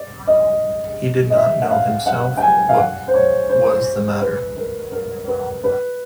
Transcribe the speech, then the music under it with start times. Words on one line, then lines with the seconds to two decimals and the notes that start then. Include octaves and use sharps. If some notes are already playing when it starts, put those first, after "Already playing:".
He did not know himself what was the matter.
Already playing: D5
0.27 D#5
1.30 D#5
1.35 E5
1.62 F#5
1.71 F5
2.06 F#5
2.37 G5
2.42 G#5
2.69 F5
2.78 F#5
3.08 C5
3.14 C#5
3.49 C5
4.21 B4
4.57 A#4
4.92 A#4
5.28 B4
5.64 B4